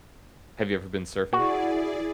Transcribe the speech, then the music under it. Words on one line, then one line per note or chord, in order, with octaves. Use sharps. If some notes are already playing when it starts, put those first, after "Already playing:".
Have you ever been surfing?
E4 F#4 G#4 D5